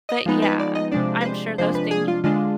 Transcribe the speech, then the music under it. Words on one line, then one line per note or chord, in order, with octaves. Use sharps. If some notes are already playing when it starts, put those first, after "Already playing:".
but, yeah. I'm sure those things w
D#5
F3 G#3 B3 D#4
B4
D5
D#5
C3 F3 G#3 D4 D5
B4
C5
C3 F3 G#3 D4 C5
B4
G#4
F4
D3 G#3 D4 F4